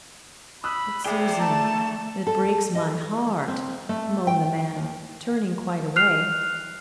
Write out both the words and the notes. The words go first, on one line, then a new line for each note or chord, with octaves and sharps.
"But, Susan, it breaks my heart," moaned the man, turning quite away.
B5 D#6 E6 F#6
G#4 D5 E5 G5
A3 A5 A#5
A4
D#5
C4
A3
G5
D#2
F6 F#6 C7 F7